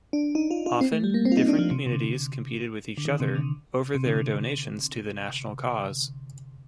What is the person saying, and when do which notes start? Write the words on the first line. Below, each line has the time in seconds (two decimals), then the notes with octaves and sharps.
Often, different communities competed with each other over their donations to the national cause.
0.13 D4
0.35 D#4
0.51 F4
0.66 F4
0.81 C4
0.92 A3
1.04 G3
1.14 A#3
1.25 C4
1.32 F4
1.37 D#4
1.48 D4
1.59 F3
1.71 C3
1.86 C3
1.92 D3
2.97 D3
3.05 D#3
3.20 C3
3.35 D3
3.95 C3
4.06 D3
4.18 D3